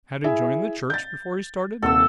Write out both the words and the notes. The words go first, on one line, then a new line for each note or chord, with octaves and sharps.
Had he joined the church before he started?
E4 G#4 E5
G6 A6
D#1 C3 A4 F#5 E6